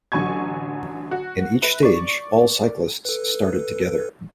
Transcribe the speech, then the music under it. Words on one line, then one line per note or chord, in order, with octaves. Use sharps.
In each stage, all cyclists started together.
A1 D3 F#3 G#5 C#6 G#6
F#4
B4 E5
D5 C#6
A4 B4